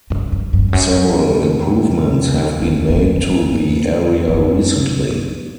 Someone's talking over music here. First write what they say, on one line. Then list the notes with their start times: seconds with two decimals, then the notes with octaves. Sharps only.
Several improvements have been made to the area recently.
0.10 F#2
0.32 F#2
0.53 F#2
0.68 F2
0.73 F#2
2.61 F2
2.89 F2
3.17 F#2
3.45 G2
4.29 F#2